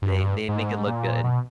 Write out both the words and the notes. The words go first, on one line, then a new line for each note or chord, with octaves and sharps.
They they make it look good.
G2
F#2
G2
G#2
A#2
B2